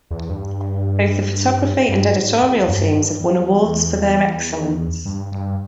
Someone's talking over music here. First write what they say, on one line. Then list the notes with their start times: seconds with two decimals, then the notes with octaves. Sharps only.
Both the photography and editorial teams have won awards for their excellence.
0.11 E2
0.29 G2
1.89 G2
2.15 G#2
2.42 E2
2.67 G2
2.94 G2
3.20 E2
5.05 G2
5.32 G2